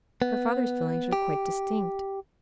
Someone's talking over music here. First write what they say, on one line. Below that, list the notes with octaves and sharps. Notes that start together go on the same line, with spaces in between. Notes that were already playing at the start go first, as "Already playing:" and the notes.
Her father's feelings were quite distinct.
B3
G4